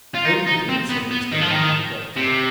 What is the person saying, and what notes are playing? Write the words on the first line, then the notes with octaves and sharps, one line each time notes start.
'Oh, indeed!' said Mr Lumbey, the doctor.
F4
D#4
D#4
C4
B3
B3
D#3
F3
D#3
C3